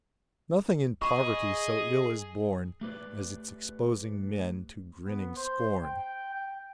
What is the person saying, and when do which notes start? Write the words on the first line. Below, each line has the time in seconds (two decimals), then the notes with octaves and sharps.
'Nothing in poverty so ill is borne, As its exposing men to grinning scorn.'
1.02 G#4 D#5 B5 C#6
2.81 A3 G4 B4 D5
5.05 B3
5.36 C5
5.84 G5
6.34 G5